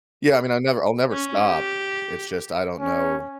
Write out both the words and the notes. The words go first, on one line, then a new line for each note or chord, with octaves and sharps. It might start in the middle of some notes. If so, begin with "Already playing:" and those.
Yeah, I mean, I never I'll never stop. It's just I don't know.
C#4
G4
C#4